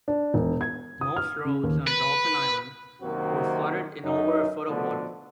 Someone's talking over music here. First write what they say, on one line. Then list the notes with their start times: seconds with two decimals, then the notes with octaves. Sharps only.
Most roads on Dauphin Island were flooded in over a foot of water.
0.08 D4
0.34 E1
0.61 G#6
1.01 D#6
1.16 F6
1.45 C#3
1.63 D#2
1.87 B4
3.01 F#2 C3 D#3 A#3 C4 F#4
4.04 F#2 D#4
4.68 B2 D3 F3 A3 B3